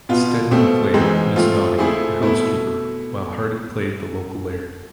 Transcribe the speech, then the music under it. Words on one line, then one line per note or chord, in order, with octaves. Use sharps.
Steadman played Mrs Naughtie the housekeeper, while Hardy played the local laird.
B2 B3 F4
B2 A3 C4
G#2 E3 G#3 C4
F3 A3 C4 F4
F3 A3 C4 E4 G#4
B2 A3 E4